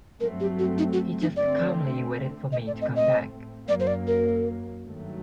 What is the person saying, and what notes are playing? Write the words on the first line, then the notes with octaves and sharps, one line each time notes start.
He just calmly waited for me to come back.
G2 F#3 A3 C4 A#4
G4
F#4
D#4
F#4
D#4
D3 A3 C4 D5
A2 A3 C4 D#5
D5
D#5
D#5
F#2 F#3 A#3 D5
C5
D5
A#4
G2 D#3 F#3 A3